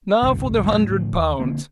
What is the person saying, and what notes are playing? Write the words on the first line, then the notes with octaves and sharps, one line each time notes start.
Now for the hundred pounds.
G1 C2 F2 B2
F#2 B2
A2 D3 F3
D#2
D3 A#3 C4